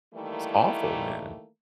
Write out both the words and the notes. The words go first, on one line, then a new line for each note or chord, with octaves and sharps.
It's awful, man.
D#3 E3 G3 A3 A#3 E4